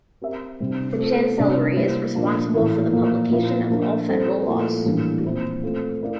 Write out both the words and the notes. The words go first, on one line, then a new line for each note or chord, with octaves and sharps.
The chancellery is responsible for the publication of all federal laws.
C4 G4 A#4 E5
C3 G3 C4
A3 C4 F4 A4
C3 G3 D4 G4 D5
G3 A#3 E4 G4 C5
A#2 F3 A#3 D4 F4
A2 E3 A#3 E4 A#4
A#2 F3 A#3
A#2 F3 A#3 E4
F3 A#3 D4 F4 A#4
G3 C4 E4 A4
A#2 F3 A3 E4 A#4
A2 E3 G3 A#3 D4
A#2 F3 C4 E4
A3 C4 F4
A3 E4 A#4 D5 F5